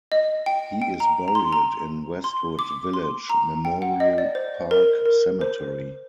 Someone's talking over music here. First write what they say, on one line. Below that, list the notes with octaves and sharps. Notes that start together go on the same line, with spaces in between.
He is buried in Westwood Village Memorial Park Cemetery.
D#5
G5
G5
A#5
A#5
C6
A#5
C6
D6
C6
A#5
G5
F#5
D#5
D5
C5
A#4
A#4
C5